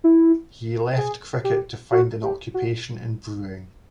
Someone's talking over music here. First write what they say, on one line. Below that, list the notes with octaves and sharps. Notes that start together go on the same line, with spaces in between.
He left cricket to find an occupation in brewing.
E4
G#4
G4
F#4
G4
F#4